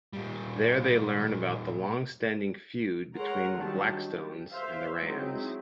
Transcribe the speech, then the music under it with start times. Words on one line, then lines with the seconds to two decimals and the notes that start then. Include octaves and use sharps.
There they learn about the long-standing feud between the Blackstones and the Rands.
0.13 A#2 G3
3.16 G#3 A#4 C#5 F#5 A#5 C6
3.56 D#3 F#3 G3 D4 D#4 A5
3.99 G4
4.51 C5 E5 F5
5.01 F#3 G#3 C4 D#4 E4